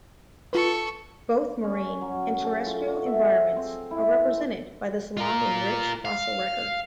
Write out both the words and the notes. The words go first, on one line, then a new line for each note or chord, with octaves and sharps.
Both marine and terrestrial environments are represented by this long and rich fossil record.
F4 A4 B4 C#6
C#4
F#3
A4
F4
F#4
E5
G#5
C4
E4
F4 A#4
F5